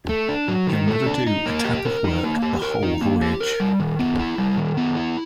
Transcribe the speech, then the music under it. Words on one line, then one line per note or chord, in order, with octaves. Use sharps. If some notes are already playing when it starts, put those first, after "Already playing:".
He'll never do a tap of work the whole Voyage.
A3
D4
F#3
D#3
A3
D4
D#4
A#3
G4
A#4
D#4
A#3
G4
A#4
D#4
A#3
G4
A#4
G3
D#3
B3
E4
G3
D#3
B3
E4